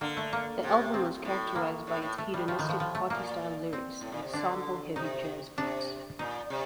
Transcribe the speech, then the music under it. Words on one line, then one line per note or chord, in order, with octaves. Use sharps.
The album was characterized by its hedonistic party-style lyrics and sample-heavy jazz beats.
D3 A#3
A3
A#3
C3
C4
A2
A#3
A2
A2
A3
A2 G3
A2 F3
D#3
F3
F3
A3
A#2 A#3
C4
A2
A#2
C3
D3 D4
C3 D#4
C3 D4
A#2 D#4
C3